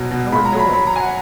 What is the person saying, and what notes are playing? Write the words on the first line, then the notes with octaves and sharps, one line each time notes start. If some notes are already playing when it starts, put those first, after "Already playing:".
'How annoying!
Already playing: B2 F#3
B2
A#2 B5
A#5
F#3
B5
F#3 B5
A#5
F#3 G#5
F#5